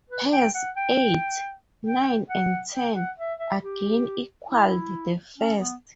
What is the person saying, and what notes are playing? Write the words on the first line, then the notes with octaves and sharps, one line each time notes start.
Pairs eight, nine and ten again equalled the first.
B4
G5
F#5
G5
G5
F#5
G5
F#5
E5
E5
G4
E4
C#4
B3